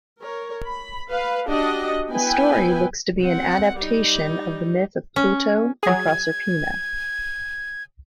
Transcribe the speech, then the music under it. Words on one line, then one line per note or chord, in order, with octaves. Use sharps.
The story looks to be an adaptation of the myth of Pluto and Proserpina.
A#4 C#5
B5
B4 F5
D4 F#4 G4 D#5 F#5
B3 E4 B4 G5 G#5
C4 F#5
G3 D#4
C#4
F#3 G#4 G#6